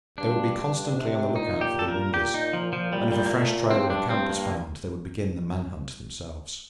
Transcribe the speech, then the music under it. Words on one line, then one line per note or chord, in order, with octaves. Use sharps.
They would be constantly on the lookout for the Woongas, and if a fresh trail or a camp was found they would begin the man-hunt themselves.
G2 D4
G2
C3
A#2 D#4
G4
A4
A#4
G4
D#4
F3
F3
A#2 G3
G3
A#3
A3
G2 C4
D4
G2 C4
A#3